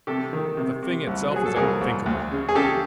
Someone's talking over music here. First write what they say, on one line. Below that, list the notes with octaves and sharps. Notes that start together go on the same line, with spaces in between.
But the thing itself is unthinkable, my lord.
C3 G4 A4
D#3
C3
C3
C2
F#3 G#4
A4
C2 G#4 A#4
C2
D2
C#3
G#4
C#3 G4 A4